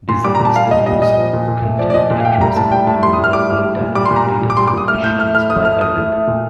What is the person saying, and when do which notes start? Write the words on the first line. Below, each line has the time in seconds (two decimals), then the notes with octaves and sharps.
Designs that use Content-addressable memory are called dynamic dataflow machines by Arvind.
0.09 A#2 C6
0.24 G3 D6
0.35 A#5
0.40 A#2
0.45 A5
0.55 G3 F5
0.71 A#2 D#5
0.86 G3 D#5
1.02 A#2 D#5
1.17 F3
1.33 A#2
1.48 A#2
1.64 A3
1.78 F3 D5
1.90 D5
1.94 A#2 D#5
2.10 A#2
2.21 F5
2.25 A3 G5
2.41 G3 A#5
2.56 A2 A5
2.72 G3 G5
2.87 A2 A5
3.03 G3 C6
3.13 D#6
3.18 A2
3.24 F6
3.33 G3 D6
3.49 A2
3.64 G3
3.80 A#2
3.95 G3 D6
4.06 C6
4.11 A#2
4.16 A#5
4.26 G3
4.42 A#2
4.50 D6
4.57 G3 C6
4.67 D6
4.73 A#2 D#6
4.88 A3 F6
5.03 A2 G6
5.19 A3 F6
5.34 A2 F6
5.50 A3 D#6
5.65 A2 F6
5.81 A3 D#6
5.96 A2
6.12 A3
6.27 A#2